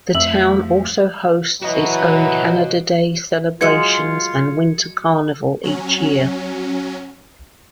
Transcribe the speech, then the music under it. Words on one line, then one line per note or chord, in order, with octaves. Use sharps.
The town also hosts its own Canada Day celebrations and winter carnival each year.
F2 F3 A3 E5 E6 F#7
E3 F#3 F#4 D#5
F#3 G#3 F4 G#6 C#7
F#3 C#4